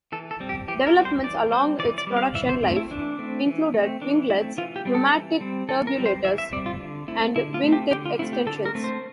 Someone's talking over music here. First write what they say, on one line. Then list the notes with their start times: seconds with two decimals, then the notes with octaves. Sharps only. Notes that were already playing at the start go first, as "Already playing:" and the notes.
Developments along its production life included winglets, pneumatic turbulators, and wingtip extensions.
0.12 E3 A4
0.31 A4
0.40 G3 C4
0.49 G4
0.68 E3 G4
0.87 A#4
0.96 G3 C4
1.05 C5
1.23 E3 D5
1.52 G3 C4 C5
1.79 E3 D5
1.98 D5
2.07 G3 C4
2.17 F5
2.35 E3 E5
2.49 C5
2.63 A3 C4
2.76 E4
2.91 E3 D4
3.19 A3 C4
3.46 E3
3.74 A3 C4
4.02 E3 D4
4.30 A3 E4
4.33 C4
4.58 E3 F4
4.76 G4
4.85 G3 C4
4.95 A4
5.13 E3
5.41 G3 C4
5.69 E3 A4
5.87 A#4
5.96 G3 C4
6.06 C5
6.24 E3 E5
6.38 E5
6.52 G3 C4 D5
6.66 F4
6.80 D3
7.08 A3 C4 E4
7.36 D3 E4
7.54 F4
7.63 A3 C4
7.72 G4
7.91 D3 G4
8.05 F4
8.19 A3 C4 E4
8.33 G4
8.47 D3 A4
8.65 A#4
8.75 A3 C4
8.84 C5